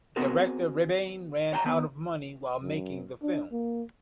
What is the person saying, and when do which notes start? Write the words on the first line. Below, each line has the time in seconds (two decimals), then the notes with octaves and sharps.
Director Rebane ran out of money while making the film.
0.16 B3 C4 F#4 G#4 A#4 C5
1.52 C#5 F#5 G5 A5 A#5
1.64 D#3 B3
2.62 F#2
3.23 D4
3.52 A#3